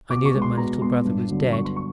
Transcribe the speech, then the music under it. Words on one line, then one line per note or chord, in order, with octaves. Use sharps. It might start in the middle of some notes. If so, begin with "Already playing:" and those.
I knew that my little brother was dead.
B2 D6
C#6
G#3 B3
C6
B2 A#5
G#3 B3 C6
G2
D3 F#3 B3
G2 C#6
C6
C#6